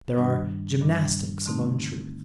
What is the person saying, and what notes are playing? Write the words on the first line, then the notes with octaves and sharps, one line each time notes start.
There are gymnastics of untruth.
G2 D#3 G3 D4
G2 D#3 G3 D4
D3 A3 C4 D#4